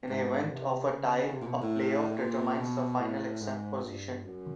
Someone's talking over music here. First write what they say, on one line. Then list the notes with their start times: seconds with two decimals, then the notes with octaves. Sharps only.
In the event of a tie, a playoff determines the final exempt position.
0.09 G#2
0.50 C3
0.91 C#3
1.21 C#3
1.33 C3
1.41 A#2
1.47 B2
1.61 A2
2.16 A#2
2.58 B2
3.00 A2
3.41 G#2
3.83 G2
4.24 F#2